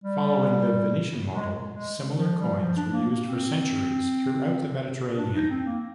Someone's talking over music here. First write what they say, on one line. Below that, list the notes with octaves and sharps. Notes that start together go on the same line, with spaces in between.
Following the Venetian model, similar coins were used for centuries throughout the Mediterranean.
G3
G#3
G#3
F3
G3
F3
D4
A#3
A#3
C4
D4
D#4
C4
A#3